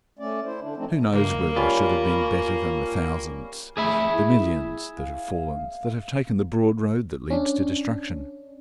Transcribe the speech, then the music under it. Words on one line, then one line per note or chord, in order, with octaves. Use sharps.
Who knows whether I should have been better than the thousands, the millions, that have fallen, that have taken the broad road that leads to destruction.
A3 C#4 D5
E4 C5
D3 D4
F3 A3 C4 D4 D#4
C#2 G2 A#3
G3 C#4 F4
A3 G#4 E5 B5
E4
F5
C#4 D4